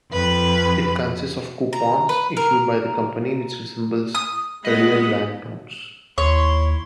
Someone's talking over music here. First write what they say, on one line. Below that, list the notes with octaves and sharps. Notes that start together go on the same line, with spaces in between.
It consists of coupons, issued by the company, which resembles real banknotes.
F2 B4
A#5
B4
A#4
D#6
G#3 B3 D#5 F#5 B5
D#2 E4 C#5 C6